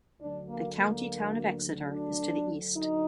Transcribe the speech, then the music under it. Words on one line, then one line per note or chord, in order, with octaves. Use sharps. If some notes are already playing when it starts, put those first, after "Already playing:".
The county town of Exeter is to the east.
D2 D3 F#3 D4
A#3
A#3
D4
D#4